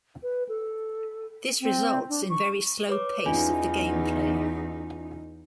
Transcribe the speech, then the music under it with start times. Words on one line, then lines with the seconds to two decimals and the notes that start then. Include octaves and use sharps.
This results in very slow pace of the gameplay.
0.23 B4
0.49 A4
1.61 C4
2.09 D4
2.30 C#6
2.89 B4 C#5 D6
3.26 E2 C#4 D#4 F4 G#5